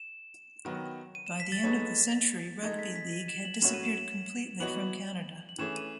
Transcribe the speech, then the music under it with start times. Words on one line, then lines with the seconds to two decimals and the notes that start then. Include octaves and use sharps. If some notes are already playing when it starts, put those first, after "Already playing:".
By the end of the century, rugby league had disappeared completely from Canada.
Already playing: E7
0.65 D#3 F#3 B3 F#4
1.15 D#7
1.27 E7
1.40 B6
1.52 A6
1.64 G#3 B3 D#4 A4 C#5
2.63 G#3 D#4 A4 G#6
2.79 B6
2.95 B6
3.13 D#7
3.28 E7
3.45 F#7
3.62 A2 F#3 C#4 F#4 C#5 E7
3.74 D#7
3.85 E7
4.60 E3 B3 D#4 F#4 C#5 F#7
5.49 F#7
5.59 E3 A3 C#4 G#4 E7
5.76 D#7